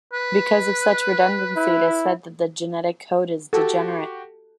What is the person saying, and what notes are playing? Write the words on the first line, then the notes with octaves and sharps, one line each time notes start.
Because of such redundancy it is said that the genetic code is degenerate.
B4
E4
F#4 G4 A4